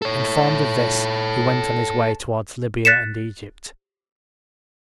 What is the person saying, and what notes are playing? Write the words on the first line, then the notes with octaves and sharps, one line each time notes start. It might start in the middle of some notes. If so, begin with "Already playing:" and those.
Informed of this, he went on his way toward Libya and Egypt.
A4 C#5
F#6 A6 B6 C#7 E7